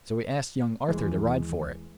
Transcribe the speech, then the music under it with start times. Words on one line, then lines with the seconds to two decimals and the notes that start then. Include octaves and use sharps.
So he asked young Arthur to ride for it.
0.88 D#2 E3 G#3